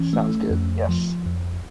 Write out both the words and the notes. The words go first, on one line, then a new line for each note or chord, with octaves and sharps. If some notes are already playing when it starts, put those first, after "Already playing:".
Sounds good, yes.
Already playing: E3 C#4
A3
F2
F3
F2